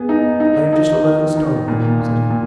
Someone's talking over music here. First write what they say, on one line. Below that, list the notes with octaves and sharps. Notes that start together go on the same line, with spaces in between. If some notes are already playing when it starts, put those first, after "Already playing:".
"I am just eleven stone," said he.
Already playing: B3 G#4
D#4
D#4
D#4
D#3
D#3
A#2
A#2
A#2